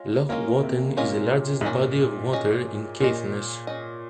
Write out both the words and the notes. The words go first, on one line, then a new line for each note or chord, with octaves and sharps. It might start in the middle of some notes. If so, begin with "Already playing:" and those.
Loch Watten is the largest body of water in Caithness.
Already playing: G#3 C#4 F4
G#3 A#3 C#4 F4 G#4 D#5
C3
A#2 G#3 C#4 F4 G#4 D#5
G#2
A#2 C#4 G#4 D#5
C#4 G#4 D#5
A#2 C#4 G#4 D#5
C#4 G#4 D#5